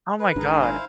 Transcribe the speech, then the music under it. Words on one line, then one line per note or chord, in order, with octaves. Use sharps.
Oh my god.
B4
G#1 G#2 D4 G#4 A#4
E4 C5 F5